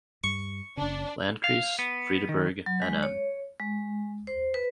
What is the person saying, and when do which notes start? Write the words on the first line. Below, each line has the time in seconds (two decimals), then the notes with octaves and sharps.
Landkreis Friedeberg Nm.
0.24 G2 C#6
0.77 F#1 C#3 D4
1.44 F5
1.79 B3
2.29 D#3
2.66 F#3
2.82 G#3
3.03 C#5
3.60 G#3
4.27 C5
4.54 B4